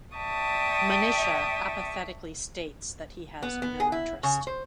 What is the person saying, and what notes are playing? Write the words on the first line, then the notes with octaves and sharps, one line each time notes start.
Manisha apathetically states that he has no interest.
D5 E5 G5 A5 C#6 D#6
B3
B3
G#4
E4
C#3
C5